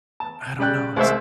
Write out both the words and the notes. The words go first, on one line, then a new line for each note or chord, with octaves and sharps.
I don't know. It's
A5
C#3 G3 D5 G5 F#6
C2 G#3 C5 E5